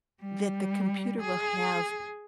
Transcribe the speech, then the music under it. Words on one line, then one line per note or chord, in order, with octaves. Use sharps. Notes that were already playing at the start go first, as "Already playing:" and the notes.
that the computer will have
G3
G#4